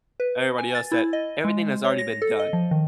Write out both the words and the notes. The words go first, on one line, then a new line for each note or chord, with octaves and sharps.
everybody else that everything has already been done.
B4
G#5
A6
E4
D#5
G#3
C#5
A#6
A4
D#5
F3
D#3